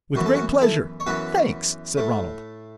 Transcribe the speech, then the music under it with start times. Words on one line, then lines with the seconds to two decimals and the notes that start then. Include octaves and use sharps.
"With great pleasure--thanks," said Ronald.
0.16 F#2 E3 B3 F#4
0.26 A4
0.35 C#4 F#4
0.61 E4 A4
1.00 C#5
1.06 F#2 E3 B3 F#4 B4
1.97 A2 A3